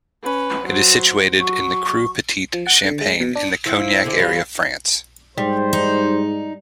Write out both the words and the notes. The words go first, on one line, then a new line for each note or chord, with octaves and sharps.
It is situated in the cru Petite Champagne in the cognac area, France.
C#4 B4
F#3 C5
F#3 C#6
F3
F#5
D3
G#3
B2
D4
F3 E4
D3 C4 G#4
E3 G3 F4
G#2 G3 C5
D#4